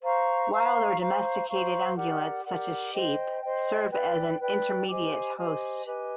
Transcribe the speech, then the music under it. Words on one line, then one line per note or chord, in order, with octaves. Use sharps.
Wild or domesticated ungulates, such as sheep, serve as an intermediate host.
C5 F5 A#5 C#6
C5 F5 A#5 C#6
C5 F5 A#5 C#6
C5 F5 A#5 C#6
G4 A#4 D5 F#5
G4 A#4 D5 F#5
C5 D#5 G5
C5 D#5 G5
B4 D5 G5
B4 D5 G5
G4 C5 D#5 G#5
G4 C5 D#5 G#5
G4 B4 D#5 G#5